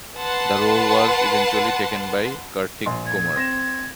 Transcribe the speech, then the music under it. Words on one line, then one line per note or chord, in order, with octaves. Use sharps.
The role was eventually taken by Karthik Kumar.
B4 F#5 A5 C6
A#1 C6
G#6
C4 A#6 E7